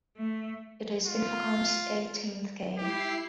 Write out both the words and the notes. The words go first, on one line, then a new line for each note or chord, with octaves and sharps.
It is Infocom's eighteenth game.
A3
F4
E4 G4 C7